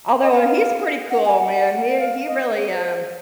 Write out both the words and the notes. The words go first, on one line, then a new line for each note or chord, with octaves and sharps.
Although, he's pretty cool, man, he he really, um
D#5
F#5
F5
F#5
G#5
F#5
F5
D#5
C#5
C5